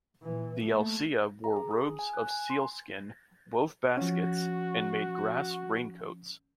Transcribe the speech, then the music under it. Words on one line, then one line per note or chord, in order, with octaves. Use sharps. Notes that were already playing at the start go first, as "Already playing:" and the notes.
The Alsea wore robes of seal skin, wove baskets and made grass raincoats.
A#2 E3
A3 A#3
A#5
G#4
D#6
G#5
G#5
F#6
G#5
C6
F3 C#4 F#4